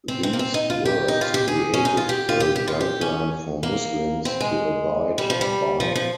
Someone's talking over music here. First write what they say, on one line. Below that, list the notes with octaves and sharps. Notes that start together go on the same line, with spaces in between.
These words created a guideline for Muslims to abide by.
C4
C4
A#3
C4
D#4
F4
G4
D#4
F4
G4
G#4
C#4
D#4
F4
G4
F4
G4
G4
F4
G4
C#4
A#3
C4
G#3
G3
F3
G3
F3
F3